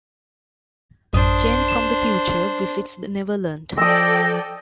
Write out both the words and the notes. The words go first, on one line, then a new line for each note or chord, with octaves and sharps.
Jane, from the future, visits the Neverland.
A1 F#2 D4 C5 D#6
E7
F3 A4 D5 G5 D#6 E6 A#6